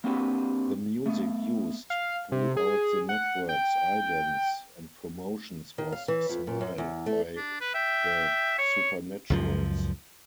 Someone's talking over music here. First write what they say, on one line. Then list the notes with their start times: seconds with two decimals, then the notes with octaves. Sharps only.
The music used throughout the network's idents and promotions was "Smile" by The Supernaturals.
0.04 A#3 C4 D4 F#4 G4 B4
1.06 A3 B3
1.90 F5
2.32 C3
2.57 G#4
3.09 F#5
3.49 G5
5.78 D#3
5.92 F5
6.08 E3
6.29 F2
6.47 A#2
6.61 F#2
6.78 E2
7.06 A3
7.36 D4
7.61 B4
7.75 E5 G5
8.59 C#5
9.30 C#2 F#2 F3